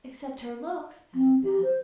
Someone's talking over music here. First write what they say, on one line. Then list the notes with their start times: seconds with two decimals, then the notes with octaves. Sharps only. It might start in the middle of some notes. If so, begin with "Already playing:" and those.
"Except her looks," added Beth.
1.15 C4
1.44 G4
1.63 C5